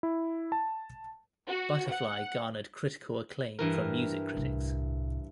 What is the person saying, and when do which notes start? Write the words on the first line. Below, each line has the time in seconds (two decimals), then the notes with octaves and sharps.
"Butterfly" garnered critical acclaim from music critics.
0.03 E4
0.52 A5
1.47 F#4
1.89 F#5
3.59 G2 E3 A#4
4.37 C2 A2